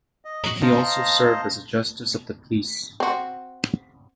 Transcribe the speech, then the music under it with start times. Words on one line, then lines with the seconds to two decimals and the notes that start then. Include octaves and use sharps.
He also served as a justice of the peace.
0.25 D#5
0.62 C5 D#5 F5 A5 A#5
3.00 C4 F#4